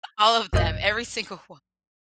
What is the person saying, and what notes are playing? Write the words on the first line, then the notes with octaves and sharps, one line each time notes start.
All of them, every single one,
A1 F#2 A#2 D#5 G6